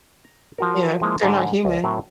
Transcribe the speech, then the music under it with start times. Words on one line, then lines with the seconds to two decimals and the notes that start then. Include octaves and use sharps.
Yeah, they're not human.
0.25 A#5
0.58 F3 F#4 A#4
1.02 F3 G#3 A#3 E4 C5
1.23 G#2 D3
1.65 C#2
1.84 A2 F#3 C4 A#4 C5 A#5